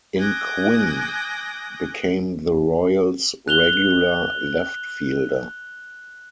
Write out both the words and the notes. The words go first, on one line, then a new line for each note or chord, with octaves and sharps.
In Quinn became the Royals regular leftfielder.
G#5 D6 D#6 F#6 G6 A#6
F#6 F7 G7